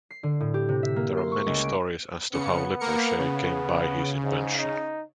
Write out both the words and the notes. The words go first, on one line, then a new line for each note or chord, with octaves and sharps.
There are many stories as to how Lippershey came by his invention.
C7
D3
A2
G4
C3
E5
A#3
C6
C#6
C#2
D7
C#3 B3 C#7
A#3 A#4 C#7
C#3
G#2
D#4